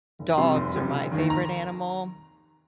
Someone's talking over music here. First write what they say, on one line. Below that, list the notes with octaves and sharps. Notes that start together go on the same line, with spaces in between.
dogs are my favorite animal,
F1
F2 C3 G3 C6
F1
F2 C3 G3
F1
D#2 D#3
A#5